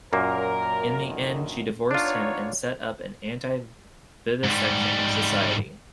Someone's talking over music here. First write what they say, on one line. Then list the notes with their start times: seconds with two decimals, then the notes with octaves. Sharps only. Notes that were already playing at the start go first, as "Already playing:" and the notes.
In the end, she divorced him and set up an anti-vivisection society.
0.13 F#2 A#2 A#3 A#4
1.06 D3 D#3
1.91 B3 D4 D#4 F4 C#5
4.44 G#2 G3